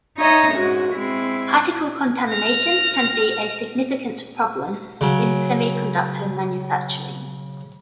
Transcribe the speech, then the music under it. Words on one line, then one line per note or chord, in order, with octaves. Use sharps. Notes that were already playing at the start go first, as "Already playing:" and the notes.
Particle contamination can be a significant problem in semiconductor manufacturing.
D#4 C#5 D#5 E5 A#6
G#2 C#4 F#4
G#3 C4 E4
F6 A#6
C#3 F#3